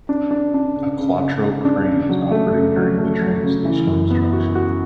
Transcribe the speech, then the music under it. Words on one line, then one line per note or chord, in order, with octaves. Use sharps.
A Quattro crane is operating during the train station construction.
D4
D4
D4
C#3
C#3
C#3
G#4
D4
C#3
F#3
A3
C#3
F#3
A3
F#3
C#3
E3
F#2
B3
F#4
F#4